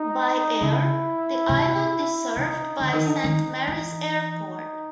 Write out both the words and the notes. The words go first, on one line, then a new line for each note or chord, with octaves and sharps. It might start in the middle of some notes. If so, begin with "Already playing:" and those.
By air, the island is served by Saint Mary's Airport.
Already playing: D#4
C#3 E4
C3
C3 D#4
D3
D#3
D3
D#3
E3
D#4